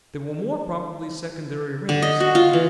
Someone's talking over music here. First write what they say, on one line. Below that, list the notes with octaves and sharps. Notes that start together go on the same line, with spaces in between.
They were more probably secondary rings.
D3
D#5
F#4
F4
E3